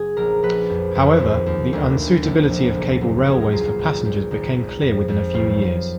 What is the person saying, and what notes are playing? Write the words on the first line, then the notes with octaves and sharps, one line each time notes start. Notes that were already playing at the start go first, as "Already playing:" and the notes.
However, the unsuitability of cable railways for passengers became clear within a few years.
Already playing: F#1 G#4
A#1 A#4
A#1 B4
F2
F2
D#2
D#2
D2
D2
A#1
A#1
F#1
F#1
B1 G#4
A#4
B1 F4
A#3
G#1
G#1
G#1 D#4
G#1
F2
F2
B1 F4